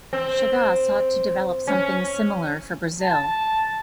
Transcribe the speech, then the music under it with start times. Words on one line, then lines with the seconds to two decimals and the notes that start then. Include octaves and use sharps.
Chagas sought to develop something similar for Brazil.
0.13 C4
1.67 C#4
3.02 A5